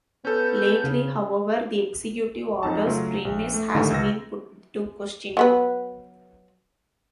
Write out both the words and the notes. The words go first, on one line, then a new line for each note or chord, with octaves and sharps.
Lately, however, the Executive Order's premise has been put to question.
B3 C#4 A4 G6
C#3
F2 D#4 A5
C#3 F#3 A3 F4
A#1
A3
F#2 A2 D3 D#3 G3 A3
C#2 E6 A#6
F#3 B3 B4